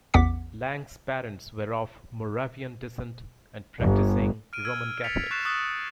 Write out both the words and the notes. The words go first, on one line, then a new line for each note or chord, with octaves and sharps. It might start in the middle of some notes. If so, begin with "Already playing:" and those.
Lang's parents were of Moravian descent and practicing Roman Catholics.
A1 E2 B3 F#5 D6 B6
G1
F6 D7 D#7
E6 F6 G#6
A6 B6 C#7 F7
C#6 F#6 A6 C7 E7
C#6 D#6 E6 F#6 A6